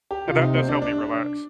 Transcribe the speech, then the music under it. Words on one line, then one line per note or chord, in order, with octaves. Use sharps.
and that does help me relax.
G4
C3 F4
D#4
C4
D4
D4